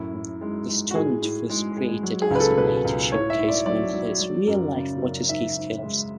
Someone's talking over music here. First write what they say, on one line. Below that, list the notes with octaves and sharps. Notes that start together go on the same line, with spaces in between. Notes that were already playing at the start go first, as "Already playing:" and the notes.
The stunt was created as a way to showcase Winkler's real-life water ski skills.
Already playing: F#2 A2 E4
A2
G#3
G#3
F#4
A2 G#4
A2
G#3
G#3
F#3
G#4
C#2 B4
A4
B2 B4
C#2
A2 C#5
E5
A2
D5
F#3 D5
F#3
F#3
F#2
C#3
F#2
G#2 E5
G#2
G#3